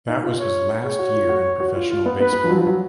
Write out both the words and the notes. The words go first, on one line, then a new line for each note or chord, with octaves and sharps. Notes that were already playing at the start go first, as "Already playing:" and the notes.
That was his last year in professional baseball.
D#4
F4
C#5
G#4 C#5
F#4
F4
F#4
F#4
F4
F4
B3
B3 B4
B3
F3
F#3
F3
F#3